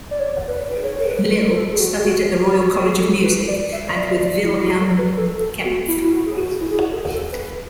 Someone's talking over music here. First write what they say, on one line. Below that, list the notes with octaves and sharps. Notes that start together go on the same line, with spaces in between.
Lill studied at the Royal College of Music and with Wilhelm Kempff.
D5
C#5
D5
B4
C#5
B4
A4
G#4
F#4
G#4
F#4
F#4
F#4
G#4
F#4
A4
B4
D5
E5
D5
D5
E4
F#4
A4
B4
A4
A4
F#4
E4
E4
F#4
G#4
F#4
E4
G#4
F#4
A4
G#4
A4
B4